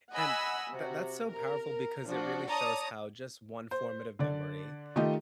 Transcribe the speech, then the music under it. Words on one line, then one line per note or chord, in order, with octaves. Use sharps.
And that that's so powerful because it really shows how just one formative memory
D#5 F#5 G#5 B5 E6
C3 F#4
A#4
F3 D4 F#4
C#5 D5 A5 A#5 D#6
C5
D3 D5
D#3 A3 F4 G4 D#5